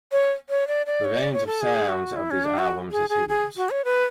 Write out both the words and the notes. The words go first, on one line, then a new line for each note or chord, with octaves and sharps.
The range of sounds of these albums is huge.
C#5
C#5
D5
D5
C#5
D5
C#5
A4
G#4
F#4
E4
C#4
D4
F#4
G#4
G#4
G#4
F#4
C#5
B4